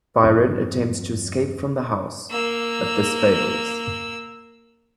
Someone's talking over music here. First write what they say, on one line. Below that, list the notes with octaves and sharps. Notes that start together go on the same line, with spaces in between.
Byron attempts to escape from the house, but this fails.
E2 G2 F#3 C4
A#3 E6